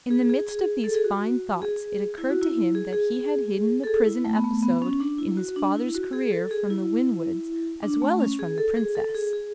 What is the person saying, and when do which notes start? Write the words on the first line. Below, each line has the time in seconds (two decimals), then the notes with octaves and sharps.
In the midst of these fine thoughts it occurred to him that he had hidden the prison episode in his father's career from the Winwoods as well as from the Princess.
0.11 G#4
0.30 G#4
0.49 G#4
0.84 A4
0.94 G#4
1.04 F#4
1.62 G#4
2.18 E4
2.30 F#4
2.42 E4
2.75 G#4
2.93 G#4
3.12 G#4
3.84 A4
3.87 G#4
4.06 E4
4.25 A3
4.36 B3
4.44 A3
4.63 B3
4.82 C#4
5.00 D4
5.18 E4
5.37 F#4
5.56 D4
5.76 E4
5.95 F#4
6.13 G#4
6.32 A4
6.51 G#4
6.70 E4
7.82 D4
8.02 A3
8.20 C#4
8.39 G#4
8.58 A4
8.77 G#4
8.95 A4
9.15 G#4
9.33 G#4